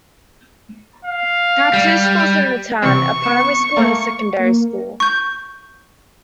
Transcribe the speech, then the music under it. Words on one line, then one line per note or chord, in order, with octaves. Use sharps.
There are two schools in the town, a primary school and a secondary school.
F5
G3
C3 E3 C4 C#6
B3 E7
A3 A#3
A#3
C#6 G6